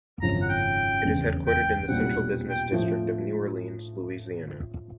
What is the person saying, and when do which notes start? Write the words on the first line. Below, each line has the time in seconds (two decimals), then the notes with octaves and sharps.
It is headquartered in the Central Business District of New Orleans, Louisiana.
0.22 G#1 F#2 C#3 F3 A#5
0.42 F#5
0.49 G5
1.05 F1 E2 C#3
1.47 G5
1.88 B1 A#2 G3 C4 F#5
2.50 G5
2.71 A2 F3 A3